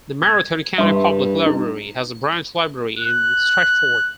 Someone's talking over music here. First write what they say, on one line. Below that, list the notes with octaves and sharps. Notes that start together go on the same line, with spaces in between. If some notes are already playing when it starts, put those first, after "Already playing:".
The Marathon County Public Library has a branch library in Stratford.
G#6
G2 E5 C6
D#4
F#6